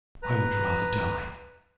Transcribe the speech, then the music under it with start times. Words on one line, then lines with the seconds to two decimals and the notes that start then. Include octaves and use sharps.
I would rather die.'
0.23 B4 A#5